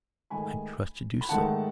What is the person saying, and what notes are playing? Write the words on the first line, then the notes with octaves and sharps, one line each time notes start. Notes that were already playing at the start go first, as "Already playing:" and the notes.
I trusted you so.
G#2 D#3 A3 D#4 G#5 B5
B5
G#2 D#3 A3 D#4 F#5 A5